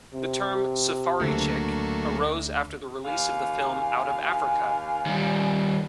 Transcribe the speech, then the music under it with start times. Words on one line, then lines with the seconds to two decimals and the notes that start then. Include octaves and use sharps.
The term "safari chic" arose after the release of the film "Out of Africa".
0.14 C3
1.20 D2 D3 F#3 A3 A#3 E6
3.04 D#2 F5 G#5
5.06 D#3 G3